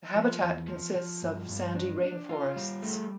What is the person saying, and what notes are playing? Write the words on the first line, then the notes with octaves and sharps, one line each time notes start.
The habitat consists of sandy rainforests.
F3
E2
F3
F3
G2
G2
D4
D4
F4
G3
A3